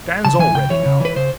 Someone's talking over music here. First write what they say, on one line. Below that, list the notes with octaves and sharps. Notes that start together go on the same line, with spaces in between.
Dan's already now.
C#3 A5
E3 G#5
C#3 G5
E3 C#5
C#3
E3 B4
C#3 C5